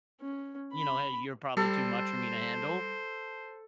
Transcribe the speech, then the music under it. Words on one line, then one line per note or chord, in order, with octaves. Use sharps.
you know, "Hey, you're probably too much for me to handle,"
C#4
B5
G3 A4 C5